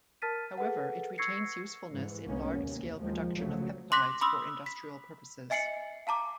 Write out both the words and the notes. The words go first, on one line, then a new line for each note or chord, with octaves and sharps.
However, it retains usefulness in large-scale production of peptides for industrial purposes.
A#4 A5 F6 A6 B6 D#7
G#4 A4 B4 F#5
C#6 E6 G#6 A#6 C7 C#7
G#2 E3
C2 C3 G#3 A#3 B3 C#4
D#2
D#2 D#3 F3 G#3
C2 C#3 F3 F#3 A3
C6 D6 F#6 A#6 B6
B5 C6 D#6 E6
B6
D#5 E5 G#5 C7 C#7 F#7
F5 A5 A#5 D6